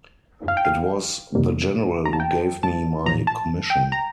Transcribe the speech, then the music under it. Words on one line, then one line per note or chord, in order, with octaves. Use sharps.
It was the General who gave me my commission.
F5
G5
F5
F2 C3 D#3 G3 A#3
A#5
A5
G5
A5
A#1 A2 F3 A#5
A5
G5
A#5